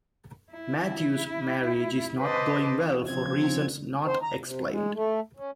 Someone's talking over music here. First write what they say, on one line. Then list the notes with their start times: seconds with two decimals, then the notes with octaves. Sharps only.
Matthew's marriage is not going well for reasons not explained.
0.53 E4
2.21 B4 C5 D#5 A5 D6
3.06 C#3 F3 C4 G#6
4.06 C5
4.23 A#5
4.42 C3
4.70 G#3
4.95 A3
5.37 C#4